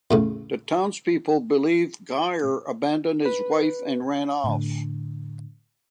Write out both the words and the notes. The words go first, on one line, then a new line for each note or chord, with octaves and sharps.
The townspeople believe Geir abandoned his wife and ran off.
E2 A2 C#3
B4
A2 D3